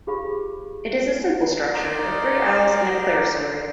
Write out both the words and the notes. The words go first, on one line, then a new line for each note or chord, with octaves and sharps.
It is a simple structure of three aisles and a clerestory.
F4 G4 G#4 C5 F5 B5
D#4 A#4 C5 D5 D#5 F5